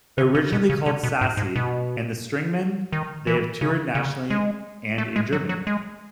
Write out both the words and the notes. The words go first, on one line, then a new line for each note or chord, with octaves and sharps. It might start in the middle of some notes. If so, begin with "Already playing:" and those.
Originally called Sassy and the Stringman they have toured nationally and in Germany.
C#3
C#3
B2
C#3
C#3
B2
G#2
G#2
B2
D#3
E3
C#3
C#3
G#3
A3
G#3
F#3
F#3
G#3